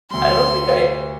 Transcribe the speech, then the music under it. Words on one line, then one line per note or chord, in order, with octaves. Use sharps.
I don't think I
D2 C3 G3 C6